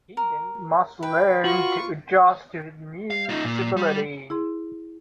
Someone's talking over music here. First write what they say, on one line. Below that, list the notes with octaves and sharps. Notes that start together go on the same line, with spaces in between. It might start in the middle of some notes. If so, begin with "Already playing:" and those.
He then must learn to adjust to his new disability.
A#4
B4 G5
F4 F#4 C#6
F5
D#4 F4
A#2
G3
E4 G#4 C6